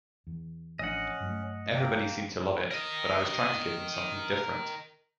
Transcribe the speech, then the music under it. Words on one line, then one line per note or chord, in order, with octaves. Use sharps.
Everybody seemed to love it, but I was trying to give them something different.
E2
A1 F3 C#4 D4 D#5 F#5
G2 F#3 A3
A#3 G5
A#4 D#5